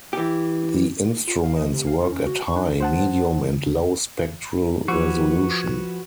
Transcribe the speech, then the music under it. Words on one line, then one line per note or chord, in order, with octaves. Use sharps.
The instruments work at high, medium and low spectral resolution.
E3 G4
F4
F5
D#5
C3
F5
F4
C#4
F#4
C#6
D4
C5 F#5 A5
F3 F#4 B4 C#5 C#6